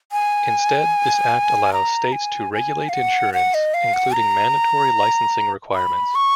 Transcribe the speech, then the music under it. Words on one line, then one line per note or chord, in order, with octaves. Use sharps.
Instead, this act allowed states to regulate insurance, including mandatory licensing requirements.
G#5
A#5
G#5
G#5
F5
F#5
F#5
D#5
F5
F#5
A#5
B5
C#6